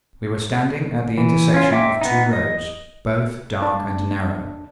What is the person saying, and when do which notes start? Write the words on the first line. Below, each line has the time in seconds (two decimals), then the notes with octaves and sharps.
We were standing at the intersection of two roads, both dark and narrow.
1.18 E3
1.54 C#4 F4
1.72 D#4 E5 G5 C6 D6
2.01 B3 D#4
2.33 D#5
3.62 D4